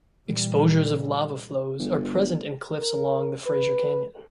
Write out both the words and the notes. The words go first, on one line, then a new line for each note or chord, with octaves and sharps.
Exposures of lava flows are present in cliffs along the Fraser Canyon.
A#2 E3 G3
G1
A#4
B4